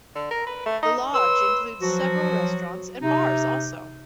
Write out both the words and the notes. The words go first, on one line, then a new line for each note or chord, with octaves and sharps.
The Lodge includes several restaurants and bars also.
D3
A#4
B4
A3
D#4
B4 C#5 C6 E6
F3 F#3 F#4
C3 D#4